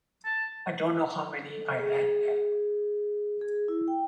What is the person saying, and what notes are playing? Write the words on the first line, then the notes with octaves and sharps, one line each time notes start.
I don't know how many I had had.
A5
A4
G#4
G#4
E4
G5